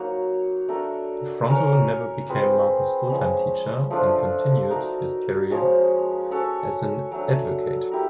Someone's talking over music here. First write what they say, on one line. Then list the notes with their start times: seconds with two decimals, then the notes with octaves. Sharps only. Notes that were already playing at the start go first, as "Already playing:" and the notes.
Fronto never became Marcus' full-time teacher, and continued his career as an advocate.
Already playing: F#3 A#3 D#4 F#4
0.68 A3 D4 F#4 A#4
1.49 C#4 F#4 A#4 C#5
2.29 C4 F4 G#4 B4
3.10 F3 G#3 C#4
3.90 F3 A3 D4 F4
4.70 D#4 F#4 A#4 D5
5.50 F3 G#3 C#4 F#4
6.31 C#4 F#4 A4 C#5
7.12 F#3 A3 D4
7.92 E4 G4 A#4